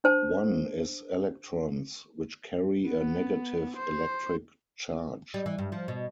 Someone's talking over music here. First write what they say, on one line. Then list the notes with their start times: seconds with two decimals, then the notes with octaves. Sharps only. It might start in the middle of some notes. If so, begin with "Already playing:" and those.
One is electrons, which carry a negative electric charge.
0.04 D4 C5 A5
2.87 B3
3.77 C5
5.34 G3
5.46 E3
5.58 G2
5.72 F3
5.88 B2